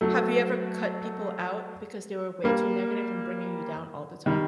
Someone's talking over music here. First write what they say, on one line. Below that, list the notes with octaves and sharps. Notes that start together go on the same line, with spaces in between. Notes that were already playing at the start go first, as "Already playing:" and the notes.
Have you ever cut people out because they were way too negative and bringing you down all the time?
F#3 A3
G3 A#3
D#3 G3